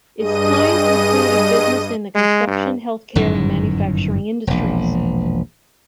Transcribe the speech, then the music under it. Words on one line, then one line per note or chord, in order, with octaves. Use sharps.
Its clients included business in the construction, health care and manufacturing industries.
G2 G#4 D#5 D#7
G#3
G2
G1 F#2 A2 D#3
E1 A#1